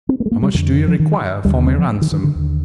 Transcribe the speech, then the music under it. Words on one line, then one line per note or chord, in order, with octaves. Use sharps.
"How much do you require for my ransom?"
C4
A#3
G#3
A#3
G3
F2 D3 D#3
F3
D#3
D#2 D3 G3
C4
F3
D#3
D#3
D3
D#2 D3